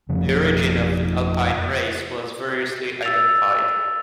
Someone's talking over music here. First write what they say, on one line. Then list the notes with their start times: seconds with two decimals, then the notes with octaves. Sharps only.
The origin of the Alpine race was variously identified.
0.09 F2 C#3 F3
3.03 E6 A6 F7